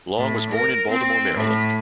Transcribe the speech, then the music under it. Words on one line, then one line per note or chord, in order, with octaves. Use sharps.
Long was born in Baltimore, Maryland.
A2
A#4
C4
A2